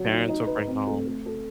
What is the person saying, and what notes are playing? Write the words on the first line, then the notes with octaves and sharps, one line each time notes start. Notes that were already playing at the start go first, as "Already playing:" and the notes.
parents will bring home."
Already playing: F#3
D#4
D#4
B4
C4
A3
A3
A4